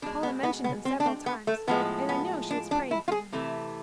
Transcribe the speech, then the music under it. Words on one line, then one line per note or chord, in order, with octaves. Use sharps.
Paula mentioned him several times, and I know she was praying for him.
B2 G#3 D4
B3
B3
B3
C4
D4
C4
B3
A3
A2 F3 G#3 B3
B3
D4
D4
E4
F4
G#4
C3 E3 A3